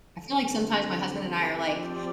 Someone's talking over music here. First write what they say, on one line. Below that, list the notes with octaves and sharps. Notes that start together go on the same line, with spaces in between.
I feel like, sometimes, my husband and I are, like,
D3 G3 C4
F3 C4 G4 D5